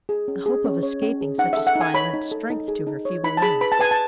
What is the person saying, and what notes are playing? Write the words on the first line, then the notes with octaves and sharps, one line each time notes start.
The hope of escaping such a spy lent strength to her feeble limbs.
G#4
C#4
G#4
C#4
C#5
C#4
G#4
D#4 F#5
A4 E5
F#5
D#4
G#5
C#5 B5
D#4
A4
D#4
G#4
D#4
C#5
D#4 B5
A5
G#4 B5
B4 B5
A5
B4 G#5
A5